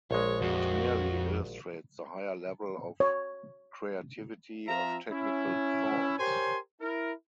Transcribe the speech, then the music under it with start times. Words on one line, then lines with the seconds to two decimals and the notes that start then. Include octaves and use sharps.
It merely illustrates the higher level of creativity of technical thoughts.
0.11 A#1 G#3 C#5
0.42 F2 F#4
3.00 C#5
4.67 F3 C4 F4 E5 A#5
5.11 C#4 E4
6.18 G4 A#4 C5 C#5 G#5 C6
6.81 E4 A#4